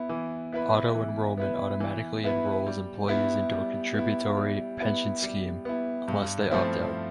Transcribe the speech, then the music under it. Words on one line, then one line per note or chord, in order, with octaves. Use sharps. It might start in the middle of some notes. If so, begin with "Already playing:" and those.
Auto-enrolment automatically enrols employees into a contributory pension scheme, unless they opt out.
Already playing: B3 E4
E3
B3 E4 B4
E3
B3 E4 B4
E3
B3 E4 B4
G3
B3 E4
G3
B3 E4
G3
B3 E4
G3
B3 E4
G2
F3 A3 C4 E4